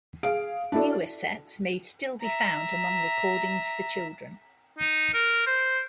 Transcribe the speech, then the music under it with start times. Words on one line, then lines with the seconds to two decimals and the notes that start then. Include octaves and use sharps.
Newer sets may still be found among recordings for children.
0.23 G#4 F5 D7
0.72 D4 E4 F#4 A4 D5
2.21 E5 A#5
4.78 D#4
5.14 A#4
5.47 C5